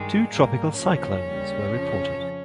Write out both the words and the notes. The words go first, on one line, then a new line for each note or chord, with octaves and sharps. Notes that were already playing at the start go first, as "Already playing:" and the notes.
Two tropical cyclones were reported.
Already playing: G2 D#3 G3 G#3
G#2 G3 A#3
D#2 C#3 F3 C#4
D#2 C#3 G3
F2 C#3 F3